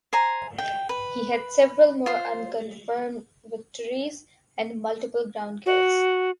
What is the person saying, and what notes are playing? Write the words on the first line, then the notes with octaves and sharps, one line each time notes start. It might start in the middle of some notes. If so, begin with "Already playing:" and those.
He had several more unconfirmed victories and multiple ground kills.
C5 G#5 A#5
G5
B4
F4 C5
F#4